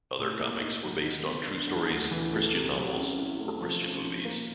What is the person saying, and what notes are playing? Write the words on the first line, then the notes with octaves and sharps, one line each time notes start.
Other comics were based on true stories, Christian novels, or Christian movies.
A2
A#3
D#4
F#3
D#3
B3
D4
F#3
D2
E3
A3
C3
F#3
C#4
E4
A3
F3
C#4
F3
A#3